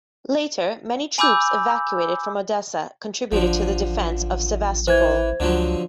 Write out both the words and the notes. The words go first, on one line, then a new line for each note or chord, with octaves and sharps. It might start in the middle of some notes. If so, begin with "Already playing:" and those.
Later, many troops evacuated from Odessa contributed to the defense of Sevastopol.
G#5 B5 D6 E6 G6
A1 D3 F3
E3 C5 G#6
C#2 D3 F3 F#3